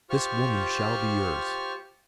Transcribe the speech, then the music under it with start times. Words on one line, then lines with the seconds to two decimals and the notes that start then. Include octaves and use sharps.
This woman shall be yours.
0.10 F4 G4 C5 C#6 F6